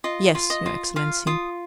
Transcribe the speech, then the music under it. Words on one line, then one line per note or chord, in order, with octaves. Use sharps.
"Yes, your excellency."
F4 D#5
F4
D#5
F4
F4 F5
F4 D#6